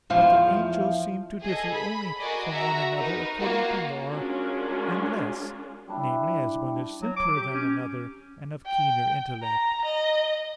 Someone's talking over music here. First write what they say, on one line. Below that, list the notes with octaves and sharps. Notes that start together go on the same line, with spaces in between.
But the angels seem to differ only from one another according to more and less--namely, as one is simpler than another, and of keener intellect.
E2 F3 F4
G#4 A4 D#5
B5
F#4 G#4 A#4 D5 D#5
F#4 E5 A#5
D#4 A#4 B4
A#3 F4 F#4 F5 F#5
G#3 C#4 D4 F4 F#4 A#4
G3 D4 E4
F#3
D6
G4
C#4
G5
A#5
D#5